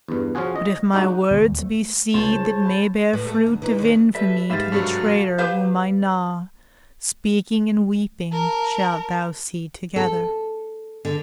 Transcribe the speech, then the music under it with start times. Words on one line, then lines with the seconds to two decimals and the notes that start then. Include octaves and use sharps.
But if my words be seed that may bear fruit Of infamy to the traitor whom I gnaw, Speaking and weeping shalt thou see together.
0.08 E2 G2
0.35 F3 C#4 F4 F#4 G#4
0.56 D#5
0.93 G#3 D4 D#4 F#4
1.31 D#2 A#2 D#3
1.59 A3
2.14 C#2 C5 C#5 A5 C6 E7
2.33 G#4
2.66 B5
3.13 A2 B4
3.27 A3 A4
3.46 D2
3.62 E3 D#4
3.78 D#2 C#4
4.15 G3 A4 B4 E5
4.50 G#2 G4 B4 E5 F5 A6
4.72 G2 C3 F#3 F#4 A4
5.38 G4 B4 C5 F5
8.32 A#4 A5
9.96 A4
11.05 D3